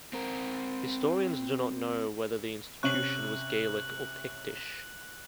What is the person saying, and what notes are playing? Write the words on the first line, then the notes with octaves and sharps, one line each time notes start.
Historians do not know whether the institution was Gaelic or Pictish.
C4 A#4
C3 C#4 C#6 F#6 F#7